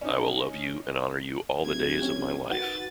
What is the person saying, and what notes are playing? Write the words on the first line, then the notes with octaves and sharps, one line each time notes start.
I will love you and honour you all the days of my life.
C#4 D#4
D1 G#6
C#4 G4
D#3 F#4 B4 A6